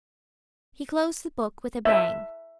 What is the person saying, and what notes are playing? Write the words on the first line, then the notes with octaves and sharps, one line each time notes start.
He closed the book with a bang.
E5